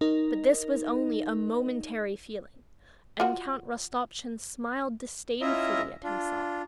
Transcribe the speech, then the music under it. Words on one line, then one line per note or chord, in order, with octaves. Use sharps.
But this was only a momentary feeling and Count Rostopchin smiled disdainfully at himself.
D#4 A#4 D#5
F4 F#4
C#4 E4 F4 D#5 E5 A#5
D4 F4